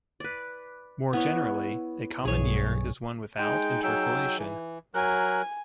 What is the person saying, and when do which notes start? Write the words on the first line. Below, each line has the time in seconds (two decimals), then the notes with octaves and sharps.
More generally, a common year is one without intercalation.
0.20 B4 D5
1.13 B3 E4 C#5
2.25 B1 G2 G#4 C#5
3.38 G#3 D#4 G#4 G5
3.84 F#3 G5 E6
4.37 E3
4.94 F#3 A#4 G#5 F#6